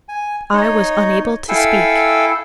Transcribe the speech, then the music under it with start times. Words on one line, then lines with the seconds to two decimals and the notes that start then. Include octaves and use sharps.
I was unable to speak.
0.09 G#5
0.53 D#4 C#5 D#5
1.49 E4 A4 F5 G5 G#5 E6